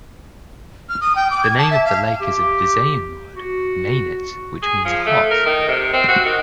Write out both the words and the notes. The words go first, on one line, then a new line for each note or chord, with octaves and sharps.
The name of the lake is a Visayan word "mainit", which means "hot".
F6
D#6
G5
D6
G#6
A5
E5
F5
G4
F#4
G#4
F3
A3
A#4
D#3
C3
C4
F#4
D#3